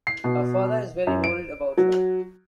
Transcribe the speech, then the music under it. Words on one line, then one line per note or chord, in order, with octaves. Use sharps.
Her father is very worried about her.
C7
B2
F#2
D7
F#3